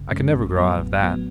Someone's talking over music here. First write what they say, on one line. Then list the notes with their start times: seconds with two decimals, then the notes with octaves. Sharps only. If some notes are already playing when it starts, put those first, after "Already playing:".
I can never grow out of that.
Already playing: G#1 F#2 C#3
0.10 F#2 C#3 G#3 C#4
0.33 A1
0.55 A2 F#3 B3
0.78 A1
1.01 A2 F#3 B3